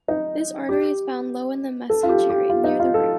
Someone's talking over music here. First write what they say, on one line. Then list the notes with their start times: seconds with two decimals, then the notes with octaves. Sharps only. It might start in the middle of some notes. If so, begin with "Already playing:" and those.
This artery is found low in the mesentery, near the root.
0.08 D#4
0.69 G4
1.90 A4
2.03 F4
2.09 G4
2.30 G4
2.49 F4
2.64 D#4
2.80 F4
2.94 A4